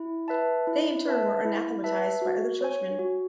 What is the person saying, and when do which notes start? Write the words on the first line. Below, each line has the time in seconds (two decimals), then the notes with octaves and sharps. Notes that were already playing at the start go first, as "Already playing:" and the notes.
They in turn were anathematized by other churchmen.
Already playing: E4
0.28 B4 E5 A5
0.67 E4
1.05 B4 E5 A5
1.45 E4
1.84 B4 E5 A5
2.22 F#4
2.61 C#5 G#5
2.99 F#4